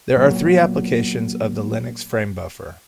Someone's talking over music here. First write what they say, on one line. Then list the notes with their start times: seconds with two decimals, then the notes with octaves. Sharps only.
There are three applications of the Linux framebuffer.
0.17 A#2 F#3 B3